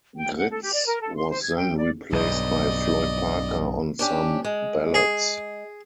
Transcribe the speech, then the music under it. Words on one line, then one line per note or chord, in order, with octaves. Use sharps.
Gritz was then replaced by Floyd Parker on some ballots.
G5
F#5
A4
G4
D5
A#4
A4
C6
C5
G#6
G5
D5
B1 G2 D5 D#5
C#4 D4 G4
G#3
G#4